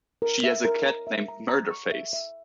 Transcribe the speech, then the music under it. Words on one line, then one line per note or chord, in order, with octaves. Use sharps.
She has a cat named Murderface.
A#4
E5
A#4
A#5
E5
A#5
A#5
C#6
E5
E5